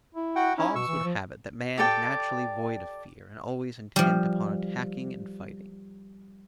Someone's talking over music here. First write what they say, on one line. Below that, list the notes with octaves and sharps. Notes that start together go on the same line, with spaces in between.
Hobbes would have it that man is naturally void of fear, and always intent upon attacking and fighting.
E4
F#4 F#5 G5
C#4 D#4 E4
B2 C#6 E6
E3
F3
G4 A4 D5 G5
F3 G3